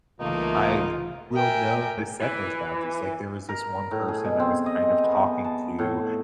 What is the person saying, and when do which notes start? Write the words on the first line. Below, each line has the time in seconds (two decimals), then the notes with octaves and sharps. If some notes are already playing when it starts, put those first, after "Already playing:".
I will know to set those boundaries, like there was this one person I was kind of talking to,
0.21 C2 C#3 E3 A3 A#3 D#4 F4
1.33 A#4 E5 G5 G#5
2.22 E3
3.49 A#4
3.91 A2
4.08 G#4
4.25 B2
4.40 C4
4.66 D#5
4.83 G#5
5.04 B3
5.44 A5
5.79 A2